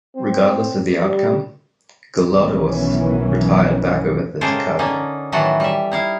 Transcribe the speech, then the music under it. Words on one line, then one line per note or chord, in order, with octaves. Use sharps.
Regardless of the outcome, Gelawdewos retired back over the Takaze.
C4
G3
B1 D#3 E3 F#3 B3 C#4
C#3 G#3 A#3 A4 C5 G5
D3 A#3 C#4 D#4 A4
A2 D#3 E3 F#3 F#4 A4
G3 E5
D#4 E4 F5